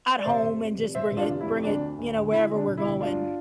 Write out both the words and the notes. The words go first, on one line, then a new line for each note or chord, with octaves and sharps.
at home, and just bring it bring it, you know, wherever we're going.
D5
F1 C5 E5
F1
F2
F1
F1 C5 E5
F1
D4 F4
F1
E4
F2
D2 D4
D3
D2
D2
D2 E4
D3
D4
E1
E4
D2
G2 D4 F4